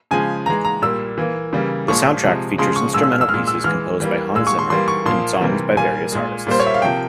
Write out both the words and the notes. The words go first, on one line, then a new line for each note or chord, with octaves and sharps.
The soundtrack features instrumental pieces composed by Hans Zimmer and songs by various artists.
C#3 F3 G#3 G#5
E3 G#3 A#5
A#5
A#2 G3 A#3 E6
E3 A#3
C#3 E3 G3 A#3
A#2 F3 G#3 C#6
C3 F3 G#3
C#3 F3 G#3 C6
C#6
A#2 F3 G#3 E6
E6
F6
E6
G#3 F6
A#2
E6
E3 G#3 F6
E3 G3 A#3
A#2 G#3 E6
C#6
C6
E3 G3 A#3 C6
C#6
A#2 F3 A#3 C6
C3 E3 G3 A#3
A#2 G3 A#3 G#5
A#2 G#3
A#2 G3 A#3 C5
C#5
E5
F5
C3 F3 A#3 G5